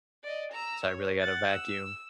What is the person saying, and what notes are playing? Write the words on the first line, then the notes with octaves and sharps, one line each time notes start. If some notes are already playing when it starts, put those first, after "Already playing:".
so I really gotta vacuum.
D5 D#5
A#5 E6
C#5
F#5 A6
E6